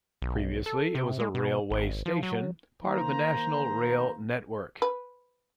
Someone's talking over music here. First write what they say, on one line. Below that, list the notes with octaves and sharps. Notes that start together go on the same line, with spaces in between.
Previously it was a railway station, part of the National Rail network.
B1
A4
C3
G#3
B2
G#1
F3
F#3
D#3 A#3 C5 A#5
B4